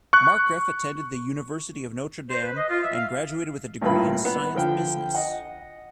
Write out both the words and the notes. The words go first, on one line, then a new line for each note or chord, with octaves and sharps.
Markgraf attended the University of Notre Dame and graduated with a degree in Science-Business.
C#6 F#6
C5
B4
D#5
F4
E5
F5
A1 G2 A#2 F4 B4 B5
B3
D3 F3 G5
D#5 F#5